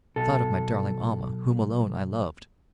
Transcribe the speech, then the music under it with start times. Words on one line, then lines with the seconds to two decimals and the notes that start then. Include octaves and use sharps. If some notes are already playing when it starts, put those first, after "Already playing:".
I thought of my darling Almah, whom alone I loved.
0.16 B1 A4